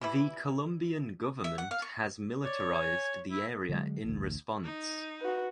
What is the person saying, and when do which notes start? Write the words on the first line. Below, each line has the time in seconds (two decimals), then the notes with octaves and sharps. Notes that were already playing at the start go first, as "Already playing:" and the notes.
The Colombian government has militarized the area in response.
0.01 E3 G3 E4
1.44 E5
1.58 F#5
1.71 F5
1.82 C#6
2.45 C#5 D5
2.74 G#5
3.32 E4
3.69 D3 F#3 G#3
4.05 A1 D2
4.64 D#4
5.21 F#4 B4